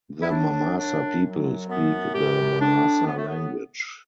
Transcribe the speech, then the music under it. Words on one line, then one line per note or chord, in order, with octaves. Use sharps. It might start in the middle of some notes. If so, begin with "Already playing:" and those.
The Mamasa people speak the Mamasa language.
E4
F#3 D4
F#2 D4
F#3
F#2 B3
A2 G4
A2 D4
A2 B3
A3
B3